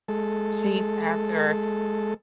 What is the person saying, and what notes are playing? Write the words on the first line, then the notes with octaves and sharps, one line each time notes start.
chased after,
G#3 A4